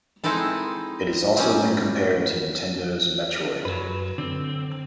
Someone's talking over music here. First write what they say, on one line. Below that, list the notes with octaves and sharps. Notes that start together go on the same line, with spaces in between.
It has also been compared to Nintendo's "Metroid".
G#3 C4 D#4 E4 A4
F#3 G3 C#4
F#2 F#3 B4
D3 C4